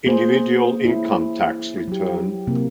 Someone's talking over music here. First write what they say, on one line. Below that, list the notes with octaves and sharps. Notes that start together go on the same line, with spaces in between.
Individual Income Tax Return.
A#3 G#4 C5
C#4 E4
F#3 G4
C3 A#3